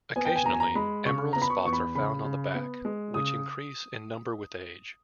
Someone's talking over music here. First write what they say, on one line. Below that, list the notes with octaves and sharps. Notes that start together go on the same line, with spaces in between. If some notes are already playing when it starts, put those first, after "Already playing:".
Occasionally, emerald spots are found on the back, which increase in number with age.
B3 G#5
G5
G#5
E2 A#5
G#5
A#5
G#3 B5
C#3 C#6
B3 A#5
B5
C#6
E2 C#6
B5
C#3 B5
C#3
B3
G#3
C#3 D#6